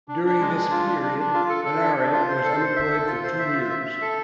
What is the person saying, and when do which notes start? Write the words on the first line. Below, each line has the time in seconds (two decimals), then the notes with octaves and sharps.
During this period, Henare was unemployed for two years.
0.08 D4
0.24 D4
0.40 G#3
0.56 D4
0.71 F4
0.87 D4
1.03 D4
1.19 D4
1.34 F4
1.49 A4
1.65 A4
1.81 D4
1.96 D4
2.13 F4
2.28 C5
2.44 A4
2.60 C5
2.76 E5
2.91 A4
3.07 F4
3.23 C5
3.39 E5
3.54 F4
3.70 E5
3.86 E5
4.01 A4